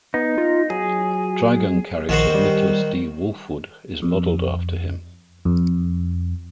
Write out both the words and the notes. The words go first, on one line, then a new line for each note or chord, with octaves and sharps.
Trigun character Nicholas D. Wolfwood is modeled after him.
B3 D#4
F4
F#3 G#4
A#1 D#3 F#4 C5
G3
F2
F2